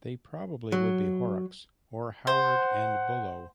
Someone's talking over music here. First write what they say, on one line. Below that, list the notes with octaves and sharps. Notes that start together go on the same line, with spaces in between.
They probably would be Horrocks, or Howard and Bullough.
F#3
C5 F#5